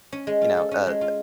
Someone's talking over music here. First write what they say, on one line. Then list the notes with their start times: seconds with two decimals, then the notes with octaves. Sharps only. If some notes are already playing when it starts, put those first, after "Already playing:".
you know, a
0.12 C#4
0.27 G#3
0.41 F4
0.57 A4
0.71 C#4
0.86 G#3
1.01 F4